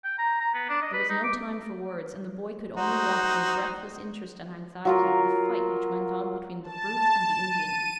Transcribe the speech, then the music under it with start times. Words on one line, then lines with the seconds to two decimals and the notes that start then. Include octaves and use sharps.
There was no time for words, and the boy could only watch in breathless interest and anxiety the fight which went on between the brute and the Indian.
0.04 G5
0.18 A#5
0.40 A#5
0.54 B3
0.69 D4
0.82 D#5
0.93 B4
1.09 D#4
1.23 D6
2.77 D#4 F#4 C5
4.85 F#3 F4 A#4
6.63 A5
7.47 D#7